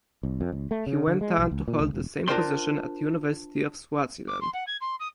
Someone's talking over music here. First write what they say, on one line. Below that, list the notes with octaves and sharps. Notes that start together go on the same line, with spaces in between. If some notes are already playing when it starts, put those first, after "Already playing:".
He went on to hold the same position at University of Swaziland.
C2
F2
C#2
A3
C#3
D3
G#3
B1
C#2
A#2
C#2
E1
D4 F4 A#4 C5 G5 C6
D6
C6
F#5
G#6
C6
D#6